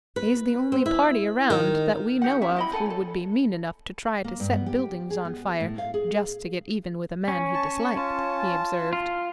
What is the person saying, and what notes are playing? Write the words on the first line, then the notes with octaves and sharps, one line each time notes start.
"He's the only party around that we know of who would be mean enough to try to set buildings on fire, just to get even with a man he disliked," he observed.
B4
C4
E4
D#3
D#4 G4 F#5
C#4 E4 E5
E4 D#5 B5
A4 F#5 G#5
A4 C#5
A#3
G2
B3
G4
G#4
B3
A2
F5
G#4
C#4
A5 C#6
F4 A5
F4